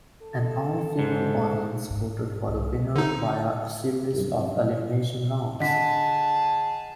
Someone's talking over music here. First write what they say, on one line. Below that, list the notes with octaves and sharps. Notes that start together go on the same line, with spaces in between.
An all-female audience voted for the winner via a series of elimination rounds.
A4
G#2
G#2
C2
D3 D#4
D3 G#4 D#5 F#5 A5 B6